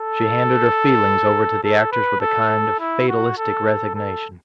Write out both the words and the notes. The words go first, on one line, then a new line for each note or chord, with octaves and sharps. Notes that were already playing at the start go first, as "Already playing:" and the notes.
She handed her feelings over to the actors with a kind of fatalistic resignation.
Already playing: A4
A4
B4
A4
E4
F#4
A4
A4